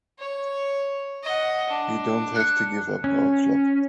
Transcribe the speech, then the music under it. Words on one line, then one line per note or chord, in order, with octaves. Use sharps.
We don't have to give up our club.
C#5
D#5 F#5
D4
F#6 C#7
C#4